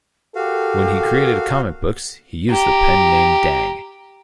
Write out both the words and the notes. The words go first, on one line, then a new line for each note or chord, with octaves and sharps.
When he created comic books, he used the pen name Dang.
F#4 G4 A4 A#4 F5
G4 A#5